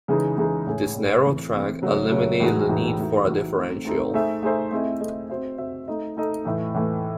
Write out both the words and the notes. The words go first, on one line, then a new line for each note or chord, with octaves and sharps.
This narrow track eliminated the need for a differential.
C#3 E3 G#3 D#4 G#4
C#3 E3 G#3 D#4 G#4
A2 G#3 C#4 G#4
A2 G#3 C#4 G#4
E3 A3 C4
E3 A3 C4
C#3 F#3 A3
C#3 F#3 A3
A2 E3 G#3 D#4 F#4
A2 E3 G#3 D#4 F#4
E3 A3 D#4 F#4
E3 A3 D#4 F#4
A3 C4 D#4 A4
A3 C4 D#4 A4
A3 D#4 G#4 C5 E5
A3 D#4 G#4 C5 E5
A3 C4 E4 G#4 D#5
A3 C4 E4 G#4 D#5
C4 F#4 C5 E5
C4 F#4 C5 E5
A3 D#4 A4 D#5
A3 D#4 A4 D#5
A2 E3 A3
A2 E3 A3